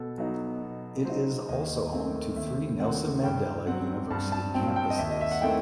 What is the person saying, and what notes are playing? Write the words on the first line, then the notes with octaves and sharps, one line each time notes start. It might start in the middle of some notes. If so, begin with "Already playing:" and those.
It is also home to three Nelson Mandela University campuses.
Already playing: B2 A4
F#3 B3 D#4
B2
F#3 B3 D#4 C5
D#2 D#5
D#3 A3 C4
D#2 E5
D#3 A3 C4 F#5
G2 G5
F#3 C4 F#5
G2 A5
A5
F#3 C4 G5
G5
D#5
D#2 E5
D#5
E5
F#5
D#3 A3 C4 E4 G5